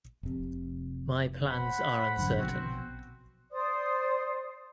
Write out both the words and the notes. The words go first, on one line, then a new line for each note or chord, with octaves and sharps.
My plans are uncertain.
F1 C3
C5 F#5 B5
A1 F#2 D3
A#1 B2 C4 F#4
C5 D5 C6 D#6